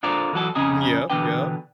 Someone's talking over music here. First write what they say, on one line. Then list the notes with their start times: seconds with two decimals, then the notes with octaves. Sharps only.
Mhm, yep, yep.
0.03 D4 F4 A4 A#4 C5 D5
0.33 E3 F#3 F#4 A4
0.55 F2 C#3 C#4 D#4 G#4
1.10 B2 D3 E3 D4 B4 G5